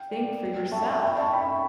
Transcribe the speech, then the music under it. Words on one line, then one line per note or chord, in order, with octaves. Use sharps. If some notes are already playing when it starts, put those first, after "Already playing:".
Think for yourself!
Already playing: G5
D5
E5 A5 C#6
D5
E5 A5 C#6
E5
D5 G5 B5
E5 A5 C#6
G5 B5